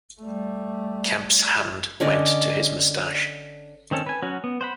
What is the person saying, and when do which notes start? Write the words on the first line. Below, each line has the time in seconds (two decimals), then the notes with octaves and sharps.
Kemp's hand went to his moustache.
0.21 G3 A3
2.00 D3 C#4 D5 D#5
3.91 D#3 C4 C#4 A4
4.06 B4 G#5
4.23 F#3 C#4 F#4
4.44 B3
4.61 C5 F#5 B5